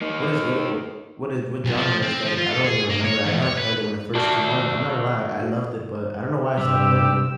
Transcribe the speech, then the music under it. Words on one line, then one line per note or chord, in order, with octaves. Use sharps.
What is what what what is what genre is that? I don't even remember, I know I played it when it first came out, and I'm not gonna lie, I loved it, but I don't know why I stopped playing it.
A#3 D#4
B1
F3
C4
F3
F4
A4
G#4
A#3
C#5
E2
C#5
B4
F#4 D5 A5
G2 C3 G3 G4 E6